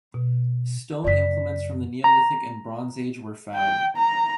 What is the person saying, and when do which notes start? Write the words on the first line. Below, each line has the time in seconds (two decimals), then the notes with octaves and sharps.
Stone implements from the Neolithic and Bronze Age were found.
0.14 B2
1.04 F#2 C#3 D5 B6
2.04 A#5
3.55 G5
3.97 A#5